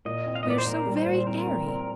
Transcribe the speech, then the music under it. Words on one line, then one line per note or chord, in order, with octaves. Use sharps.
We are so very airy!
A#2 D#5
C4
F5
D#5
A#2 D5
C5
A#2 A#4
G3
C5
A#2
C4 A#4
C4
C4